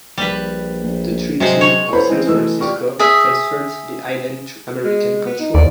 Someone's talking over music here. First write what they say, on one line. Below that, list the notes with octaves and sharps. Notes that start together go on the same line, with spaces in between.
The Treaty of San Francisco transferred the island to American control.
A#1 G3 B4
A#1
C3 F#3 G#3 C5
C#5
B3 E4 A4 C5 C#5 B5
E3 G#3 C4 C5
E3 G#3 A3 E6
F4 G4 D5 C#6 F6
G#4 E5
G#3
B3
D#4
D#2 D5